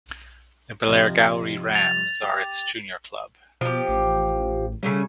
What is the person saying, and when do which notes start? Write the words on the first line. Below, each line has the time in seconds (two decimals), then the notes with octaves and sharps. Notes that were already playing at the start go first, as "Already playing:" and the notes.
The Blairgowrie Rams are its junior club.
0.87 F2 C3
1.75 A6 F7
2.23 G4
3.61 B2 F3 G4
3.89 A1
4.83 C#3 G3 A3 C#4